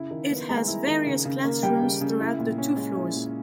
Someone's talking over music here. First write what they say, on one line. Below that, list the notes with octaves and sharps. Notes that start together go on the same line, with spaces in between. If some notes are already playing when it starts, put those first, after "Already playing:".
It has various classrooms throughout the two floors.
Already playing: C#3 E4
D#3
B3
G#3 A#5
E4
D#3
C#3
C#3
A#3
G3 G5
C#3
C#3
E4
A#2
C#4
G#3
E4
A#2